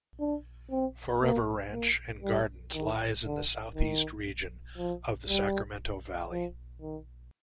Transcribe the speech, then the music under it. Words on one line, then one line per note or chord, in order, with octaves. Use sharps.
Forever Ranch and Gardens lies in the southeast region of the Sacramento Valley.
D4
C4
A#3
A#3
G3
D#3
D3
D#3
F3
G3
F3
D#3